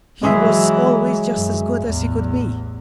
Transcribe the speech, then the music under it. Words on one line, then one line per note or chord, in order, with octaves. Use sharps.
"He was always just as good as he could be!"
E3 F#3 G#3 G#4 E5
F#2
A1 E2